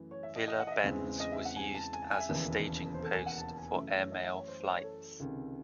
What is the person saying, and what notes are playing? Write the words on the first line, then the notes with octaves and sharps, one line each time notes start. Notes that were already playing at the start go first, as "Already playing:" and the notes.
Villa Bens was used as a staging post for airmail flights.
Already playing: F#2 E3 A3
C#5
E5
D#5
D#5
F#5
D#5
E5
E2 C#3 E3 G#3 C4
D#5
E5
F#5
G#5
A5
G#5
A5
G#5
E5
E1 D#2 C#3 E3
C5
A4
G#5
F#5
A5
A5
G#5
F#2 E3 A3 E5
E5
C#5
D#5
E5
C#5
C5
C5
C#5
A4
C#2 C3 D#3